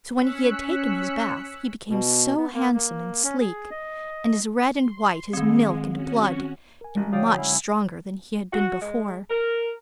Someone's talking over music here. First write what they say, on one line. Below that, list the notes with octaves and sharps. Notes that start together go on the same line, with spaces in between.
So when he had taken his bath, he became so handsome and sleek, and as red and white as milk and blood, and much stronger than he had been before.
C#4 E6 F#6 B6 C#7
B2
B3
A#3
A#3
C#4
G#4
D#5
C6
D#3 G#3 C4
C#4 F#4
A#4 G#5
A1
D3 F3 F#3 F#4 D5 F5 G5 D#6
D3 G#3 C#4 E4
F#4
G#3
A#4